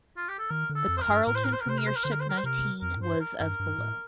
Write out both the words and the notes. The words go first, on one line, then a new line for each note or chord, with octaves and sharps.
The Carlton premiership nineteen was as below.
F4
G4
A4
D#3 A#4
D3
A4
F2
C5
A#4
G2
A2 A#4
C5
A#4
C5
A#4
C3 C5
A#4
C5
A#4
D3 C5
A#4
C5
A#4
C5
C3 A#4
F2 A#4
A2
G2 C5
A#4
G2 A#4
G2
A2